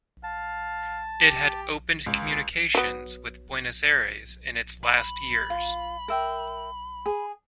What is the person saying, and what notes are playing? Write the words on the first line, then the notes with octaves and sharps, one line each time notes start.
It had opened communications with Buenos Aires in its last years.
F5 A5
G4
C#2
F#3 B3
B5
F4
A#4 E5 G5
G#4